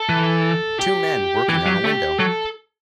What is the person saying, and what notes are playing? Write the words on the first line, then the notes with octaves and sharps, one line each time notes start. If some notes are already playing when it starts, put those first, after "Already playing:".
Two men working on a window.
Already playing: A4
E3
G4
E3 G4
F#3
A3
F#3 A4